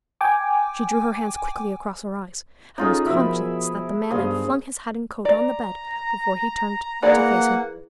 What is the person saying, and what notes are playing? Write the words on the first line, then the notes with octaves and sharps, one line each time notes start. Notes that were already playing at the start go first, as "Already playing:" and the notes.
She drew her hands quickly across her eyes, and was conscious that the man had flung his hat and coat on the bed before he turned to face her.
G5 G#5 D6
C#4 D#4 F4 G#4 A4
B2 F3 A#4 E5 B5
B1 G2 G#4 C5 F5
D5 A#5
E3 A#3 G#4 D5 F#5